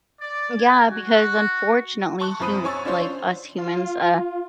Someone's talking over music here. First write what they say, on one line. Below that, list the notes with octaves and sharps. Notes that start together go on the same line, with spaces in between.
Yeah, because, unfortunately, hum like, us humans, uh,
D5
G#5
F#4
A5 C#6 F#6
F#2 F3 C4 B5 D#6 D#7
C#5 G#5 C#6 E6 A6
C#4 D4 F4 C5 C#5 C6
F4